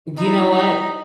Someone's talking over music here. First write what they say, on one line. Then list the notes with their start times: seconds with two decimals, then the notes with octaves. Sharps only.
Do you know what?
0.17 D#4 E4
0.50 D#4